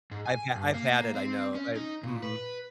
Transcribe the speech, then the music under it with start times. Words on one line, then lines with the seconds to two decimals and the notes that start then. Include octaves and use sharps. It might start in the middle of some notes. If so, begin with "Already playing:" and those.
I've had I've had it, I know. I mhm.
0.11 G#2
0.26 G#5
0.55 G2
0.74 A#3
1.15 C4
1.55 C#4
1.76 D#4
2.03 A#2
2.22 B4